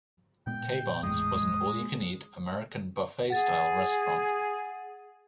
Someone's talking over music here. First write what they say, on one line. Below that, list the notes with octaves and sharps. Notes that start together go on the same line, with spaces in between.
Taybarns was an all-you-can-eat American buffet-style restaurant.
A#2 G#3 B3 G5
F1 E2 A2 G#3 D#6
G#4 F#5 A6